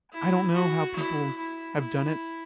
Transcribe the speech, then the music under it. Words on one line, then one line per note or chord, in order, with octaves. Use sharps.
I don't know how people have done it.
E4
F#4
E4
E4
E4